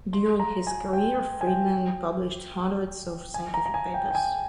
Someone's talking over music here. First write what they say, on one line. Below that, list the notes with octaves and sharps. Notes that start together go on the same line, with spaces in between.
During his career Friedman published hundreds of scientific papers.
C6
A#5
G#5
G5
G#5
G5
G#5
A#5
A#5
G#5
G5
G5
G#5